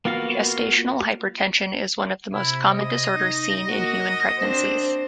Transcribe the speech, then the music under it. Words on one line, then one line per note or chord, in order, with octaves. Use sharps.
Gestational hypertension is one of the most common disorders seen in human pregnancies.
A#3 B3 F4 F#4 F5
C3 E4
D#5
D#4
A#3 F#4
C4 D4 C5